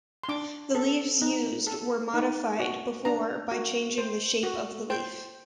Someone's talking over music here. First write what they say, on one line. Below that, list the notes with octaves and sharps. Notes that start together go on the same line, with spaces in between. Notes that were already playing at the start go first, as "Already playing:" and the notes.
The leaves used were modified before by changing the shape of the leaf.
C6
D4 D6
A4
D#4
A4
D#4
F#4
D4 A#5
F#4
C5
F#4
C5 G5